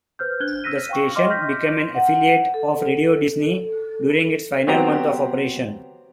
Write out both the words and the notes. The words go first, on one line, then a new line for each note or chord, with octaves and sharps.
The station became an affiliate of Radio Disney during its final month of operation.
B4 C5 F6 G6
D4 F#6 G#6 G7
E6 F6 A#6 B6 D#7
F5 G5 C#6
D#5 E5 C6 D6 F6
C6 F6 G6 A#6 B6
F#5
A4
F#3 B3 C4 G4 A#5